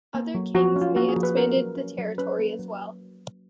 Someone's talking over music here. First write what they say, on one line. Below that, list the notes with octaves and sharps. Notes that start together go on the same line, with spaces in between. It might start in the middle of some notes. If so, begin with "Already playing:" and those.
Other kings may have expanded the territory as well.
A#3
F#3
F3 F#4
C#4
F4
A#3 F#4
G#4
F3
B4
C#4 A#4
F#3
C#4
F#3
C#4 B4
A#3
F#3